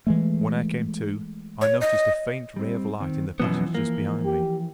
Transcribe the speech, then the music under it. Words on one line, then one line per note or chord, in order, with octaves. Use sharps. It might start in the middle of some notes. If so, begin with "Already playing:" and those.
When I came to I noticed a faint ray of light in the passage just behind me.
E3 G#3 A3
C#5
D#5
G3 C4
D#3 C4
F#2 B2 E3 F3 B3
A#3
G4